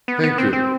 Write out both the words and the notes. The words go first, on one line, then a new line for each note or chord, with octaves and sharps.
Thank you.
B3
B3
C4
C4